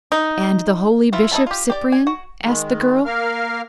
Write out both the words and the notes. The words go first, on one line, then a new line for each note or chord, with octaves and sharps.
"And the holy Bishop Cyprian?" asked the girl.
D#4
E3 E4 F4 E5
D#4 E4 A#4 A5 B5
F4 G4
G4 D5
G#5
F#4
D#3 G#3
A#3 A#4 F5 F6